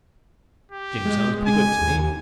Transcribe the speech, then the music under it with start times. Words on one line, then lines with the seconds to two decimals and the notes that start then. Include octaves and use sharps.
Jim sounds pretty good to me.
0.71 G4
1.05 G#3
1.47 G#5
1.81 D#2